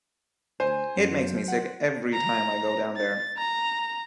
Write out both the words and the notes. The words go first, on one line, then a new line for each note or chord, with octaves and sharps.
It makes me sick every time I go down there.
D2 C5 G#5
F#2 F#3
F#5
A#5
A6
A#5